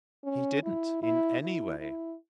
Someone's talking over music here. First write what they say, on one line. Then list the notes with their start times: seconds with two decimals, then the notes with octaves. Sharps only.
"He didn't--in any way."
0.24 C#4
0.63 E4
1.02 E4
1.42 E4
1.80 E4